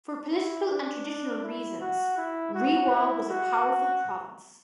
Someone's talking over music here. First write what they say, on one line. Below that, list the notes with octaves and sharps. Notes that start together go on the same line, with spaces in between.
For political and traditional reasons, Rewa is a powerful province.
E4
D4
D4
E4
F#4
E4
F#4
E4
F#4